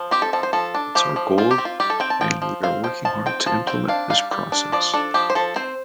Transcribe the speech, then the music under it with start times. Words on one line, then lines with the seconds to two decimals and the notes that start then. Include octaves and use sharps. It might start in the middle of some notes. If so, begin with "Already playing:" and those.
It's our goal and we are working hard to implement this process.
Already playing: F3
0.11 C4 G4
0.22 A4
0.33 F3 A4
0.43 C5
0.53 F3 A4
0.75 D4
0.95 F3 G4
1.16 F3
1.38 C4 F4
1.51 G4
1.58 C4
1.65 F4
1.80 G3 G4
1.90 A4
2.00 C4 G5
2.10 A5
2.21 F3 G5
2.42 F3
2.63 C4 F5
2.84 F3 G5
3.05 F3 A5
3.26 C4 G5
3.46 F3 A5
3.67 C4 G5
3.88 D4 F5
4.10 G3 F5
4.31 G3
4.52 D4
4.72 F3 D5
4.94 D4 A4
5.14 F3 G4
5.30 C5
5.35 F3 A4
5.56 C4 C5